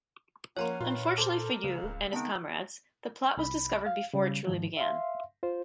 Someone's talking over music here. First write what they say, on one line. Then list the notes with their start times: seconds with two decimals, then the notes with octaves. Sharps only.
Unfortunately for Yui and his comrades, the plot was discovered before it truly began.
0.57 F3 A#3 C#4 C#5 F#5 G#5 A#5 C6
0.80 A#2 D#3 F4 B4
1.18 A4 A#4 C5 D6
1.64 C#2 C#3
1.83 D1
2.13 D#3 B3 C4 D#4 A5
3.37 C2 B5
3.86 F5
4.13 C#3 G3
4.47 G#2 D#3 F3
4.77 E5 F5 C6
5.43 F4 C5